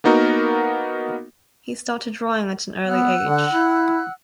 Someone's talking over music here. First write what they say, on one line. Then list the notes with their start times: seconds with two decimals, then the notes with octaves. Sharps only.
He started drawing at an early age.
0.04 A#3 B3 D#4 F#4 A#4
2.87 B3 F#5 E6 F#6
3.24 D3
3.52 E4